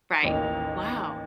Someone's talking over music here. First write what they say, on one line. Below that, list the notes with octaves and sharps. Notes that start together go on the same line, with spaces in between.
Right, wow.
A1 D#2 A#3 C#4 D#5 F7